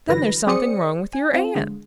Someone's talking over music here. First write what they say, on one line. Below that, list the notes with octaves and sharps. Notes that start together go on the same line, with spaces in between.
"Then there's something wrong with your aunt!"
G1 D3 E3 F#3 B4 A#6
C4 G#4 C5 D5 D#6 C#7
G#5
C4 F4
D3 G#3